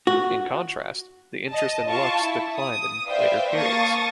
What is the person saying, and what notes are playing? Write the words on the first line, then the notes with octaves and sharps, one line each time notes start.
In contrast, the interest in Lux declined in later periods.
F#4
D#5 A5
F4 A5 C#6
E4
D#6
B4 C5 D5 E5 F5 G5
A#3 F5 A5 C#6 D#6 A6